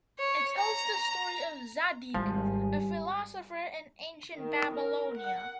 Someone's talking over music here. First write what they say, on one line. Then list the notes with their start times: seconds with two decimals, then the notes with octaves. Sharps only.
It tells the story of Zadig, a philosopher in ancient Babylonia.
0.19 C#5
0.58 A#5
2.14 G#1 F3 G3 E4 G#5
4.38 D#3
4.75 A#4
5.16 F#5